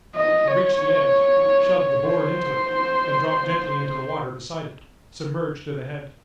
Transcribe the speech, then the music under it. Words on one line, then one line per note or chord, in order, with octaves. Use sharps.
He reached the edge, shoved the board into it, and dropped gently into the water beside it, submerged to the head.
D#5
C#5
C5